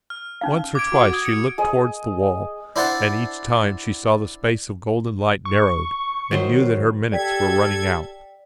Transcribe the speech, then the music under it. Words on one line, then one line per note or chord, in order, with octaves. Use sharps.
Once or twice she looked towards the wall, and each time she saw the space of golden light narrowed, and knew that her minutes were running out.
F6
C#4 D#4 F5
D6 G#6 D7
F#4 F#5
D#6 G#6
C#7
G#4 D#5
D4 E4 C5 F#5 A5
C#6
D#3 F#3 C5
G4 A4 D5 G5 G#6 B6